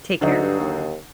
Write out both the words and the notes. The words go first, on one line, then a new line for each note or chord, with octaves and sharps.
Take care.
D2 D3 F#3 D#4
G2
D#2